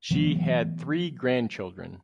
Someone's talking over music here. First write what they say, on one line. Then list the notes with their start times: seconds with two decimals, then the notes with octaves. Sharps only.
She had three grandchildren.
0.11 E3 F#3 A3 B3